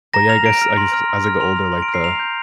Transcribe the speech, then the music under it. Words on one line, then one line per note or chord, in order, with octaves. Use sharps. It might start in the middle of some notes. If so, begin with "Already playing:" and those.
But, yeah, I guess I guess as I get older, like, the
A#5 A#6
F6 F7
A#5 D7
F6
C6
F6
C6
F6
C6 F7
F6
C6
D7
F6
C7
A#5 F7
G6